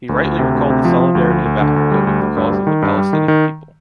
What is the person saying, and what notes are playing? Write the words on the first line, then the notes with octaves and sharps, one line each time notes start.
He rightly recalled the solidarity of Africa with the cause of the Palestinian people.
D2
D2
C3
D2
C3
F3
F3
D2
D2
D2
D3
D2
G3
D2
D2
G2
G3
D#3
G2
G3
D#3
D#3